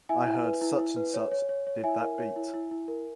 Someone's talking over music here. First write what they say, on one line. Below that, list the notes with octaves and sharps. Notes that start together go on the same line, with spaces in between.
I heard such and such did that beat.
E4 E5 G#5
E4
B4
E4
E4
B4
C#5
C#5
C#5
C#5
E4 E5 G#5
A#4
C#5
E4
E4
E4
A#4